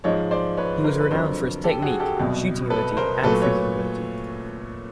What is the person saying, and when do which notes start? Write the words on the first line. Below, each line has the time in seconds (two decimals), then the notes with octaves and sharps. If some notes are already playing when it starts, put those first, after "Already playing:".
He was renowned for his technique, shooting ability and free kick ability.
0.04 G#2 F3 G#3 C#5 D#5
0.31 C5 D5
0.57 B4 C#5
0.84 A#4 C5
1.00 B4
1.11 F2 D3 F#3 A#4 C5
1.64 G4 A4
1.82 F#4 G#4
2.00 G4 A4
2.17 C2 B2 F#3
2.70 A4 B4
2.97 A#4 C5
3.23 A#2 F#3 A3 A4 B4
3.42 C#5